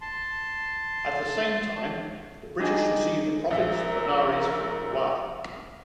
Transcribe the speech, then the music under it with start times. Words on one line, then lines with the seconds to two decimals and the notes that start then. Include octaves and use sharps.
At the same time the British received the province of Benares from Awadh.
0.01 A5 C6
2.59 G3 D4 D#4 G#4
3.51 A#1 A#4 E5 E6